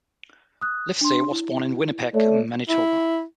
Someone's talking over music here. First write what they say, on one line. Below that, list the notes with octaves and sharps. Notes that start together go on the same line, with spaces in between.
Livesay was born in Winnipeg, Manitoba.
D#6 F#6
D4 C6
E4
A3 C#5 D5
E4